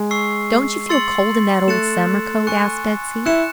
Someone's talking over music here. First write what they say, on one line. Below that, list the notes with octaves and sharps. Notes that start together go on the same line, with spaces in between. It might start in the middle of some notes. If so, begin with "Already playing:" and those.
"Don't you feel cold in that old summer coat?" asked Betsey.
Already playing: G#3
C#6 E6 C7
C6 E6 A6 C#7 F#7
A3 F#6 A6 C#7 E7
G#5 C#6 F#6 C#7
E4 F#6 C#7 E7